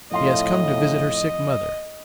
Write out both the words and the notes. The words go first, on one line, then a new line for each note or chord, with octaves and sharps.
She has come to visit her sick mother.
F2 A2 F4 D#5 F5